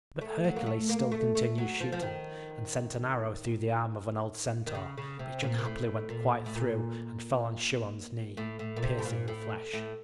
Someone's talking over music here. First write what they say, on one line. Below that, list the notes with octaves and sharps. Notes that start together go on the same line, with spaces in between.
But Hercules still continued shooting, and sent an arrow through the arm of an old Centaur, which unhappily went quite through and fell on Chiron's knee, piercing the flesh.
A3
F#3
A#3
A3
A#3
A3
A3
F#3
F3
F3
D#3
D#3
C#3
C#3
C3
A#2
A#2
A2
A#2
A2
A#2
A2
A2
A#2
C3
A2
A#2
A2
A2